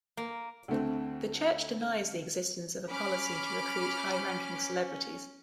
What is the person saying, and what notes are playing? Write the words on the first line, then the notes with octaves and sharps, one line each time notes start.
The church denies the existence of a policy to recruit high-ranking celebrities.
A#3
D2 D3 A3 C4
C#4 B5 D6 F6